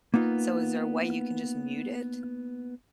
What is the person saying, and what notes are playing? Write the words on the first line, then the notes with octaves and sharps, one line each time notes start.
So, is there a way you can just mute it?
A#3 B3 D#4 F4